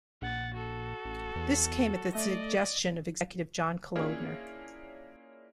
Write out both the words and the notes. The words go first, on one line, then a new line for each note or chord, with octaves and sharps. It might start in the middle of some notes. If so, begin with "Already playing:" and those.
This came at the suggestion of executive John Kalodner.
A#1 F#5 A6
F#4 A4
A1
E2
A3 D5 D#5
A#3 C#4 D4 E4 F4 G#4